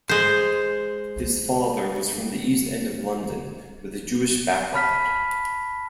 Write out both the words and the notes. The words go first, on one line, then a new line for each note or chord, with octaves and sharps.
His father was from the East End of London with a Jewish background.
G#3 C5
A5 B5 F6 B6